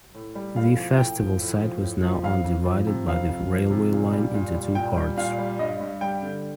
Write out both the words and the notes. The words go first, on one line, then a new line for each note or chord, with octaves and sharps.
The festival site was now on divided by the railway line into two parts.
A2
G3
A2 F5
F3
A2 G5
F3
A2
F3
A2
F3
F2 F5
F2
F3
C3
F2 F5
F2
F3
C3
A#2
G3
A#2
G3
A#2 G5
G3
A#2 F5
G3
G2 D#5
G2
G3 G5
D3